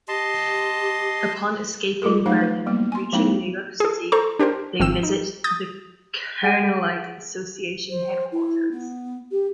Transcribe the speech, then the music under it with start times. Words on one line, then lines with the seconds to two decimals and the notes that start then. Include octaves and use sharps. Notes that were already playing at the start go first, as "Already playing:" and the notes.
Upon escaping Bergen and reaching New York City, they visit the Kernelight Association headquarters.
0.08 G4 D#5 A5 C6
2.02 G3 F4 G4 G#4 A#4
2.26 F#3 A3 D#4 F5 F#5
2.41 B4
2.66 G3 A#3 B3
2.92 G#5 C6
3.13 F#3 A3 B3 D#4 E4
3.80 G#4 A4
4.12 A4 C5 A#5 C#6
4.39 D4 G4 A#4 C5
4.80 G#1 F3 C4 E6 E7
5.03 D#4
5.44 D#6 G6 A6
6.43 G#4 F#5 G#5 D7 D#7
7.89 C5
8.32 E4
8.71 B3
9.31 G4